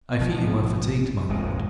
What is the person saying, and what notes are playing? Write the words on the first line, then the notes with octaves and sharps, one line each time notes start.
'I fear you are fatigued, my lord.
A#1 B2 F3
D#1 A1 G#3